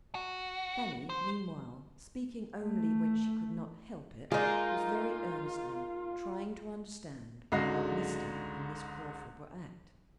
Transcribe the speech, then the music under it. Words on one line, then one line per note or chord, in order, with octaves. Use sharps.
Fanny, meanwhile, speaking only when she could not help it, was very earnestly trying to understand what Mr. and Miss Crawford were at.
F#4
C5
A3
G#3 A#3 D#4 F4
C#2 G#2 D3 F#4 D#5 C7